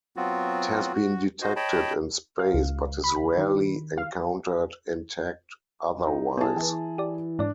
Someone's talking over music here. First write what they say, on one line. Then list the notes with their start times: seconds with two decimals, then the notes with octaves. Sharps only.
It has been detected in space but is rarely encountered intact otherwise.
0.16 F#3 B3 C4 F4 F#4
0.94 F#4
1.42 F#4 C5 D#5
1.56 C#5 D#5 G5 A5 B5
2.39 F5
2.54 C#2
3.04 B5
3.38 D#3
3.98 F5
6.07 D#4
6.37 B3 E4 G#4 A5
6.56 E3
6.98 G4 D5
7.39 G#2 D4 D5